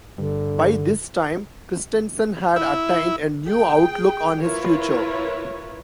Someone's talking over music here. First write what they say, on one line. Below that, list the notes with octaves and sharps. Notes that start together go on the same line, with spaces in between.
By this time, Christensen had attained a new outlook on his future.
G2 D3
E4
G#4 G5
E4 F4 A#4 B4 C#5